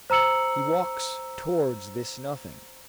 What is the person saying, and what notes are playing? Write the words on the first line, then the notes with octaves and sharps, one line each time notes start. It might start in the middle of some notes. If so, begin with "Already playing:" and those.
He walked towards this Nothing.
C5 A#5 E6 C#7 F#7